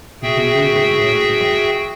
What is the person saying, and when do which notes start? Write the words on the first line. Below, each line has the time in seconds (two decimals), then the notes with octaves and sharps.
He can do what he likes about it.
0.22 F#4 G#4 E5 G5